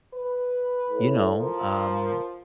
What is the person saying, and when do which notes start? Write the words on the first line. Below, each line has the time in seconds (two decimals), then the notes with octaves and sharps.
you know, um,
0.14 B4
0.90 A2
1.38 F3 A#4